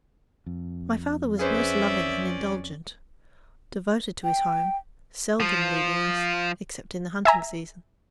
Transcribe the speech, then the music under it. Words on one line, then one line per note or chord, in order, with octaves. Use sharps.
My father was most loving and indulgent, devoted to his home, seldom leaving us, except in the hunting season.
F2
C#4 G#4 B4 C5 D5 E5
G5
F3
E5 G#5 A#5